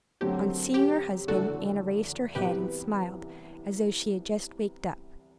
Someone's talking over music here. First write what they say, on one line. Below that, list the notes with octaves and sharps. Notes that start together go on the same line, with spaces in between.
On seeing her husband, Anna raised her head and smiled, as though she had just waked up.
F#2 D3 F#3 A3 C4 G4
G4
F#1 E2 D3 A3 F#4 A4
C2 C3 E3 B3 F#4 G4 B4